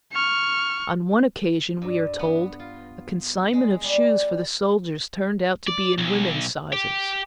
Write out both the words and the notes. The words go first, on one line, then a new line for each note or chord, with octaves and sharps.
On one occasion, we are told, a consignment of shoes for the soldiers turned out to be in women's sizes.
C#6 F6
G2
B3
F4
G#3
G3
D5
B1
G4